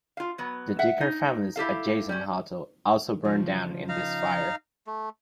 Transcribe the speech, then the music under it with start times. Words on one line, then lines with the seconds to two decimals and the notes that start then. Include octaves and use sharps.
The Dicker family's adjacent hotel also burned down in this fire.
0.17 F4 F5
0.38 F#3 B3
0.79 E5 F#5
1.01 D#4
1.56 E4 G4 A4 F5
2.09 G3 C#4
3.24 C#3 F3
3.89 D#4 F5 A#5
4.87 A3